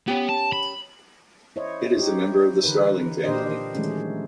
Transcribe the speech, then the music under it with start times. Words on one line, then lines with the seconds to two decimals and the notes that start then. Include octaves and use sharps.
It is a member of the starling family.
0.08 B3 C#4 G4
0.29 A5
0.52 B5
1.56 E4 C5 C#5 D#5
1.97 D#4 G4
2.64 D3 E3 D#4 A#4 B4
3.24 A#2 D4 G4 A#4 C5 D#5
3.74 D#3 E3 F#3 G#3 A3 C#4